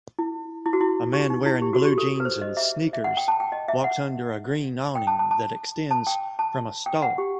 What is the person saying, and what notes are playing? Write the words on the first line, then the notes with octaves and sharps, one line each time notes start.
A man wearing blue jeans and sneakers walks under a green awning that extends from a store.
E4
E4
F#4
E4
G4
D#4
E4
G4
F#4
G4
A4
B4
C5
D#5
E5
E5
F#5
G5
A5
G5
D#5
E5
F#5
G5
A5
A5
A5
A5
G5
A5
G5
F#5
G4